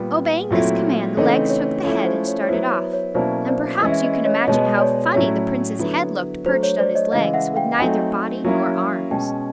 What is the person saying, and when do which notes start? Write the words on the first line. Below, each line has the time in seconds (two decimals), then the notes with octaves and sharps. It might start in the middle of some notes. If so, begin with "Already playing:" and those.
Obeying this command, the legs took the head and started off; and perhaps you can imagine how funny the Prince's head looked perched on his legs, with neither body nor arms.
Already playing: A#2 G3 B3
0.51 A#2 F#3 A3 C4 E4
1.17 C#3 E3 A3 C4 D#4 C#5
1.50 C#5
1.83 F3 A3 C#4 E4 C#5
2.05 C5
2.27 C#5
2.43 C#5
2.49 F#3 B3 E4 C5
2.71 C#5
2.93 C#5
3.15 B2 F#3 A#3 C#4 E4 C5 D5
3.48 C5 D5
3.81 E3 G#3 C#4 E4 D#5
3.92 E5
4.03 D#5
4.14 E5
4.25 C#5 D#5
4.47 B2 G#3 B3 C#5 D#5
4.76 D5
4.81 C#5
5.14 A2 F#3 A3 C#4 E4 C#5
5.79 D3 F#3 B3 E4
6.46 F#3 A3 D4 C5
6.63 C#5
6.79 C5 D5
6.95 C#5 D#5
7.12 C#3 E3 G#3 D#5 F5
7.34 E5 F#5
7.56 F5 G5
7.79 F#3 A3 C4 D#4 F#5 G#5
8.44 F#3 A#3 C#4 E4
9.11 B2 G#3 C#4 G5 A5